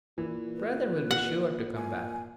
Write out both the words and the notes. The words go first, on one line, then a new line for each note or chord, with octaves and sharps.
Brother will be sure to come back.
A#2 E3
B4
F#5
G#5